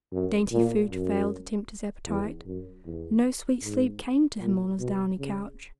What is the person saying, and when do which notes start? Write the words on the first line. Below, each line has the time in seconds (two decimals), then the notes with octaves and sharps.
Dainty food failed to tempt his appetite, no sweet sleep came to him on his downy couch.
0.13 F#2
0.52 A#2
0.91 F#2
2.08 E2
2.45 F#2
2.85 E2
3.63 G#2
4.40 A#2
4.79 B2
5.18 C#3